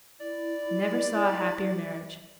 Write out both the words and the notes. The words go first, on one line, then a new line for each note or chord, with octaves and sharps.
"Never saw a happier marriage."
E4 D5